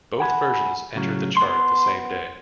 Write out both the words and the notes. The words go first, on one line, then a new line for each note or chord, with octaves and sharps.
Both versions entered the chart the same day.
F#5 G#5 A#5 B5
A2 C#3 F#3
B3 C6